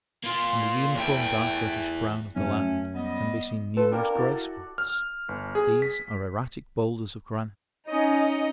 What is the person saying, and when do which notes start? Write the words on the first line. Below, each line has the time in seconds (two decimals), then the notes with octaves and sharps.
On the uniform dark reddish brown of the land can be seen numerous grey spots; these are erratic boulders of granite.
0.24 A#3 F4 C6
0.94 E2 A3 E4 G5
2.36 F#2 A3 C#4
2.95 G3 B3 D#5
3.76 F4 A4 B4 A5
3.92 G3 A#3 D4 A#4 A5
4.15 E4 F#4 A4 D5
4.78 F6
5.29 G1
5.55 G#4
5.82 B6
7.87 C#4 D#4 D#5